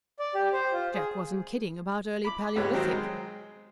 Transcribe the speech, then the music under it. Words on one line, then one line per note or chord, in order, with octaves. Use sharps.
Jack wasn't kidding about early Paleolithic.
D5
G4
C5
F4
G#4
B5 D6
C#2 G#2 B3 G4 C#5
B2 D#3 F#3 C4
G#3